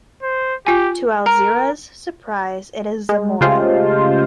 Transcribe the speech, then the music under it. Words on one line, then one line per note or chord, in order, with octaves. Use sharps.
To Alzira's surprise it is Zamoro.
C5
F4 G4 G#5
A#4
G#3
C#3 G#3 A3 F4 G4 C5